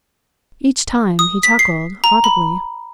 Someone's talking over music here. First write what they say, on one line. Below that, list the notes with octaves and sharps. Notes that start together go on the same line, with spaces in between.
Each time he chuckled audibly.
D#6
B6
C7
A#5
B5